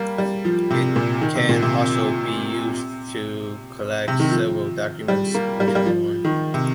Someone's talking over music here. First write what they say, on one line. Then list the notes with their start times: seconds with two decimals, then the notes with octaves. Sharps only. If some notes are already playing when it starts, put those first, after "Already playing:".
It can also be used to collect several documents into one.
Already playing: G3 A#3
0.18 G3
0.45 F3
0.70 C3
0.96 A#2
1.21 D#3
1.35 C3
1.49 A#2
1.62 C3
4.08 C3
4.20 D#3
4.31 F3
5.08 G3
5.35 A#3
5.60 G3
5.68 A#3
5.75 G3
5.86 F3
6.25 D#3
6.54 C3